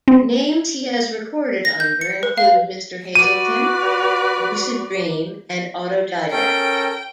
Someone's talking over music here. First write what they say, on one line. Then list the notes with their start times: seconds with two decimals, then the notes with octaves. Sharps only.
Names he has recorded under include Mr. Hazeltine, Lucid Dream, and Autodidact.
0.08 C4
1.65 A#6
1.80 G6
2.01 C#7
2.23 B4
2.38 F5
3.15 F#4 B4 D5 D#7
6.31 C#4 A4 A#4 G5